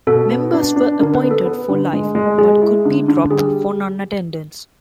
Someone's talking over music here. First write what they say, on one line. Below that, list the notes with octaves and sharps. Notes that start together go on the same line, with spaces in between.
Members were appointed for life but could be dropped for non-attendance.
B2 A4
B3
D4
D4
D3 A#4
B4
B3
A4
B3
D3
G#3
G#3
G#3 G#4
E4
D3
D3
G3 G#4